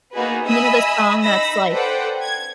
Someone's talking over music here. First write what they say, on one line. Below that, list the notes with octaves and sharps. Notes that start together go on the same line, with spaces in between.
you know the song that's, like
A#3 B3 D#4 F#4 G#4 B4
D#5 E5 G#5 B5 D#6 E6
D#4 B5 E6 A#6
A4 B4 C5 D5 F#5 G5
G#6